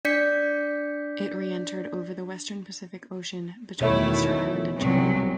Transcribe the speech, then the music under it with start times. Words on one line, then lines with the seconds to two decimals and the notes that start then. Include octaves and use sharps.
It reentered over the western Pacific Ocean between Easter Island and Chile.
0.05 D4 D5 G6 B6 C#7
3.81 E2 B2 D#3 A3 E4 C#5 E5
4.77 C2 C3 F#3 B3 C#4